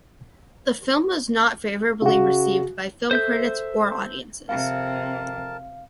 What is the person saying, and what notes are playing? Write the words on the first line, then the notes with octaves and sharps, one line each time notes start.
The film was not favourably received by film critics or audiences.
C#3 F#4
A4 C5 E5 G6
F2 C3 A#4 F5 A5